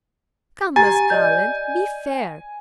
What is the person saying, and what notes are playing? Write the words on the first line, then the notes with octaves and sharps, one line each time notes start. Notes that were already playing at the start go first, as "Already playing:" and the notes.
Come, Miss Garland, be fair.
G4 G#5 A#5 A6
D5 D#5 G6